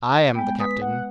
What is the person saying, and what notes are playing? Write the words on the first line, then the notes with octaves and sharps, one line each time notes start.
"I am the captain."
G#3 B3 G5
B4 D#6 B6
F#5